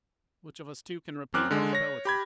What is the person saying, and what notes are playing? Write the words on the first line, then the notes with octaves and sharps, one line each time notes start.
Which of us two can repeat most poetry?
F#2 C4 D6 F6 F#6
D3 G#3
C#5 A#6
G4 B5 G#6